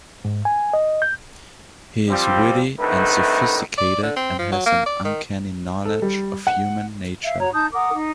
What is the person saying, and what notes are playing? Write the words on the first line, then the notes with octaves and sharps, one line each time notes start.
He is witty and sophisticated and has an uncanny knowledge of human nature.
G#2
G#5
D#5
G6
F3 G3 C4
C2 A2 D3 A3 D#4 B4
D5
D3
C4
F3
F#3
A#3
D5
D#3
A4
G3
F#5
E5 F5
F#4 C#5 A#5
D#4 A5 D#6 G6
A#4 F#5 D6 D#6
D#4